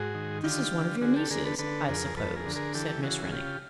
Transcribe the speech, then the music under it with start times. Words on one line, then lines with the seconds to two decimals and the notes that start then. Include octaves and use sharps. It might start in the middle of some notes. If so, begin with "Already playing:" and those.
"This is one of your nieces, I suppose?" said Miss Rennie.
Already playing: G#2 F#4 G#4
0.15 D#3
0.44 D3 F4 G4
0.73 D3
1.01 D3 F#4 G#4
1.16 G4 A4
1.30 D3 G#4 A#4
1.45 A4 B4
1.59 D3 A4 B4
1.88 F2 G#4 A#4
2.17 F2 A4 B4
2.36 G#4 A#4
2.46 D3
2.56 G#4 A#4
2.75 E3 G4 A4
3.03 C#3 F#4 G#4
3.24 G#4
3.32 C#3 F4 G4